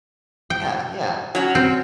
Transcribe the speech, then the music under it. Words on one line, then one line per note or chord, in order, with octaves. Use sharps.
Yeah, yeah.
G5
F#3 C#4
C4